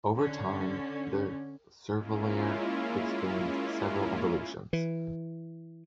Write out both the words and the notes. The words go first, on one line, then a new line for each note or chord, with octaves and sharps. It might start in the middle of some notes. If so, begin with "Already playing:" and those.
Over time, the Cervelliere experienced several evolutions.
D3 C#4
G#3 A#3 C#4 E4 F4
E3